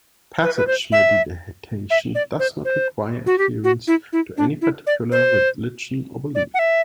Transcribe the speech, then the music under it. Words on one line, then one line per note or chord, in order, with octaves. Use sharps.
Passage Meditation does not require adherence to any particular religion or belief.
B4
B4
C5
E5
E5
D5
C5
C5
F#4
G4
F#4
E4
E4
D4
E4
D5
C5
D5
F#5
E5